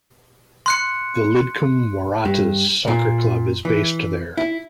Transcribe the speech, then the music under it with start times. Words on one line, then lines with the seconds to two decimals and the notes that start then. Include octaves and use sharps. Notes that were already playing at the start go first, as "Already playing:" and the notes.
The Lidcombe Waratahs soccer club is based there.
0.66 C6 F#6 C#7
2.25 G2
2.88 A#2
3.65 E3
4.37 E4